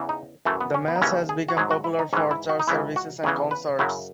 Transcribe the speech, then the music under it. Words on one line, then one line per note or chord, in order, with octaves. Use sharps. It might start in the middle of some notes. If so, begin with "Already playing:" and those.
The mass has become popular for church services and concerts.
Already playing: E2 C#3 E3
D#4
F#2 E3 A3
B3
C#4
B3
D#4
D#2 C#3 E3 C#4
G#4
F#4
G#2 F#3 G#4
F#4
E4
D#4
G#2 E3 C#4
E4
F#4
D#4
C#2 C#3 E3 E4
F#4
E2 C#3 E3 G#4
B4
F#2 C#3 F#3 E4